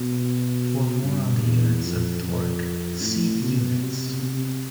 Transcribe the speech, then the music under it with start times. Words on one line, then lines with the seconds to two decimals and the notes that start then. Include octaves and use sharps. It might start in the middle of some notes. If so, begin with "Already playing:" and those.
For more on the units of torque, see Units.
Already playing: B2
1.03 G2
1.43 E2
1.83 F2
2.23 F2
3.03 A2
3.43 B2
3.82 C3
4.22 C3